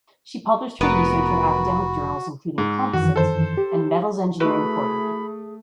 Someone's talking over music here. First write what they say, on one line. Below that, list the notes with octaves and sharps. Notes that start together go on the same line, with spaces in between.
She published her research in academic journals including "Composites" and "Metals Engineering" "Quarterly".
F1 B3 F#4 A#4 B4 B5
G#2
F#2 D#3 E3 F#4
A4 C5
G4
A3 E4 F#4 G#4 B4 B5